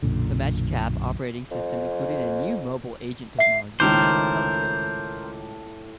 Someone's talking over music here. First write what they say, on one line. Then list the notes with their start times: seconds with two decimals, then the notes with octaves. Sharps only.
The Magic Cap operating system included a new "mobile agent" technology named Telescript.
0.03 B1 F#2 A#2 D3
1.51 F2
3.39 E5 C7
3.80 C#2 A2 D#3 A#4 C5 A5 D6